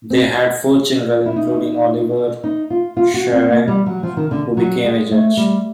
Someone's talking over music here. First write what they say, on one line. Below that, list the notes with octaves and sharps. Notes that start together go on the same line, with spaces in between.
They had four children, including Oliver Schreiner, who became a judge.
C4
E4
D#4
D#4
F4
F4
F#4
C4
A#3
G3
F#3
F3
D#3
D3
F#3
G#3
A3
G3